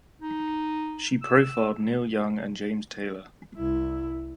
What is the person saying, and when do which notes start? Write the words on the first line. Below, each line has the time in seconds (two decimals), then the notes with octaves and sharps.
She profiled Neil Young and James Taylor.
0.21 D#4
1.22 E6
3.56 C2 E4